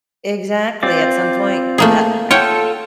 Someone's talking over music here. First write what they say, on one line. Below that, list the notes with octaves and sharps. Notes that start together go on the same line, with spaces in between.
exactly, at some point that
C4 F4 D5
A3 A#3 G#4
F4 A4 C#5 F#5 G5